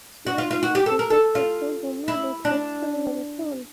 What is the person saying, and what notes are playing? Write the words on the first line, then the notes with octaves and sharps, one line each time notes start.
Small images of the god were molded of sand and corn.
F#4
F4
F4
F#4
G4
A4
A#4
A4
F4
E4
D4